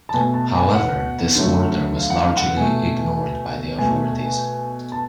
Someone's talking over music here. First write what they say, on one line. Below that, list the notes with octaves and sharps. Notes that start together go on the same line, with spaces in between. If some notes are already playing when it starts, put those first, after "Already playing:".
However, this order was largely ignored by the authorities.
A5
B2 A3 G#5
A5
G#5
F#5
D3 F#3 A3
F5
F#5
F5
F#5
B2 A3 G#5
B2 A3 G#5
A5